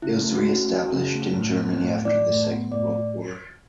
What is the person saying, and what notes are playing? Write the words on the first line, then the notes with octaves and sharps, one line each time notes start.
It was reestablished in Germany after the Second World War.
C#3 E4
A3
F#4
C#4
E3 F#4
C#3
A3
A2
B3
A2
E3 D5
A2
B3
A2 D5